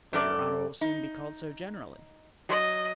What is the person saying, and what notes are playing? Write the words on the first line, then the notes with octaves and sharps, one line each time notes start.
"But your honor will soon be called so generally."
F#2 A4 D5
D#4
F#3 D#5